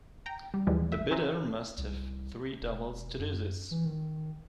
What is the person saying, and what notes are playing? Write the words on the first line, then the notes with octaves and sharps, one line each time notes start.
The bidder must have three doubles to do this.
G5 A#5
G3
D#2 E3 F3 G3 G#3
G#1 E5
C#4 E4 B4 C5 E5 A#5
C2
E1
F#2
E3
D#3